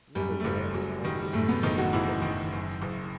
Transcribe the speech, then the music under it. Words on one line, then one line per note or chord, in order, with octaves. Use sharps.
Nevertheless, audiences couldn't get enough of it.
F#2 G3
A3
F#1 G3
F#1 F#3
D#3 G3
G3
F#2 A2 A3
B2 B3
F#1 D#3 D#4
F#3 F#4
F#1 E3 E4
D#3
F#2
F#1